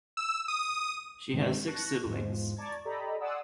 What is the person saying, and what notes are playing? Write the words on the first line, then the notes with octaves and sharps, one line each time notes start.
She has six siblings.
E6
D#6
G2 B2 D#3 G#3 A3 C4
A5 C#6 F#6 A#6
E2 G#2 F3
D5 A5 A#5 C#6 G#6 A6
G4 A4 D5 D#5 A#5 B5
D5 F#5 G#5 C6 D#6 E6